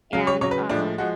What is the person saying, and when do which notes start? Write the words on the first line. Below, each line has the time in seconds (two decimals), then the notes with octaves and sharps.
and, um,
0.13 C#3 F#3 F5
0.27 C#5
0.41 C#3 F#3 C#5
0.51 B4
0.69 A2 F3 G#3 D4
0.98 F3 G#3 F#4